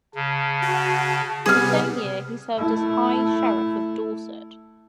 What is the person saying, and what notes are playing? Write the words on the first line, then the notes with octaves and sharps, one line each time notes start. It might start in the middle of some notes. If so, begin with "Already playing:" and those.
That same year he served as High Sheriff of Dorset.
C#3 A5
F#4
C3 G3 B3 G#4 F6
A3 E4